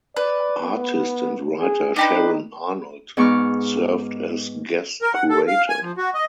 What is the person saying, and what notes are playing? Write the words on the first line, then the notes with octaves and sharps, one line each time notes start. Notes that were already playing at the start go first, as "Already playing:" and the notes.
Artist and writer Sharon Arnold served as Guest Curator.
B4 D5
B3
G#4
D4 D#4 G4 B4
G#2 B3 C#6 D6 F6
A#4
F#5
A4
F5
G#5
F3
F#4
D#5